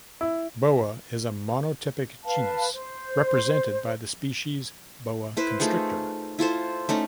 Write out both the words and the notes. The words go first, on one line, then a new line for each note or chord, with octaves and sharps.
"Boa" is a monotypic genus, represented by the species "Boa constrictor".
E4
B4 F5 A5
C5
E4 B4 C5
A3 D#4 F4 G#4
E4 F4 A4 C5
A3 C#4 D#4